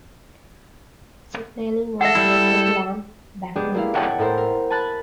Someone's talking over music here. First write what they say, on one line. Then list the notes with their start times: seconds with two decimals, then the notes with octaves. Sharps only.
Signalling was electric lamp backlit.
2.01 A4 E5 F#5
2.15 G3 E4
3.56 G#3 B3 D4 G4 G#4
3.74 A#3 E4 F5
3.96 C#5 D#5 E5 F#5 G5 A5
4.18 A2 E4 A4 A#4 C5
4.37 A#4
4.70 G#5 A5 B5 F#6 A6